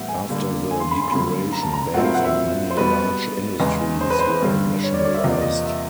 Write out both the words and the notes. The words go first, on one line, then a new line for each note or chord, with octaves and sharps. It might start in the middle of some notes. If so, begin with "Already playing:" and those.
After the declaration, banks and many large industries were nationalised.
Already playing: A2 E3 G3 B3 E5 F#5
G#5
D3 G3 A#3 D4
G#5
C6
B5
C6
F#2 D3 G3 A#3 B5
A#5
A5
A#5
A#2 F#3 A3 C4 E4 F#5
F5
F#5
E5
C5
B2 G3 B3 B4
E2 C#3 E3 G#3
C5
B4
C5
G2 D3 G3
C#5
D5
C#5
D5
E5
E2 C3 F3 A#3 D#5
D5
D#5
E5